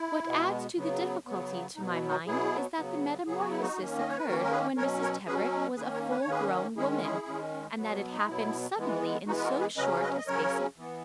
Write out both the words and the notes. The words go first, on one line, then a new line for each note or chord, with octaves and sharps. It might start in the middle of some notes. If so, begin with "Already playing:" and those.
What adds to the difficulty to my mind is that the metamorphosis occurred when Mrs. Tebrick was a full-grown woman, and that it happened suddenly in so short a space of time.
Already playing: E4
B2 G#3 B3
C#3 F#3 B3
C#3 F#3 B3
B2 F#3 B3 D#4
E4
D#4 F#4
B2 F#3 B3 E4 G#4
C#3 F#3 B3
C#3 F#3 B3 G#4
F#4
E4
D#4 F#4
D#3 A#3 C#4
D#5
C#5
B4
D#3 A#3 C#4 F#4 A#4
A#4
G#4 B4
B2 F#3 C#4 A#4 C#5
A#4 C#5
B2 F#3 C#4 G#4 B4
D#3 A#3 C#4 G#4 B4
A#4 C#5
B4
C#5
D#3 A#3 C#4 G#4 B4
D#3 G#3 C#4 E4 G#4
E4 G#4
D#3 G#3 C#4
B2 F#3 B3
D#4
B2 F#3 B3 E4
E3 G#3 B3
E3 G#3 B3 D#4 F#4
B4
F#4 A#4
G#4 B4
C#3 F#3 C#4 B4 D#5
B4 D#5
D#5
C#3 F#3 C#4 A#4 C#5
E3 B3